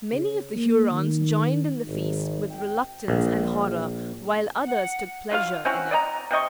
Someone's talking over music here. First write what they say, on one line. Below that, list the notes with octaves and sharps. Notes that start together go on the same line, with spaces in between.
Many of the Hurons joined in the feast with reluctance and horror, while others took pleasure in it.
C#3
A#3
D#3
G#1
G5
A#1
F#5
F#3 F4 F5
C4 C#4 E4 F#4
D5 D#5 F#5 A#5
C3 C4 D#5 C#6